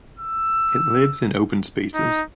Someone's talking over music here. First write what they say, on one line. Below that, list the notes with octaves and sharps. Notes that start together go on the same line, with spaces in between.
It lives in open spaces.
E6
D#4